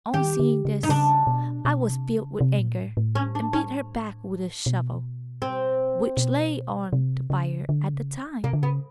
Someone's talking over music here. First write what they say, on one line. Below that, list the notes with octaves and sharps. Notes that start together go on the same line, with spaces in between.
On seeing this I was filled with anger, and beat her back with a shovel, which lay on the fire at the time.
D#3 G4
D3
C#3
D#4
C#3 D4
B2
B2
C3
C#3
C3
A#2
A2
A2
C#4
D4
C#4
B2
C4
B2
C3
C#3
D3
C#3
C3 A#3
D3
C#3 B3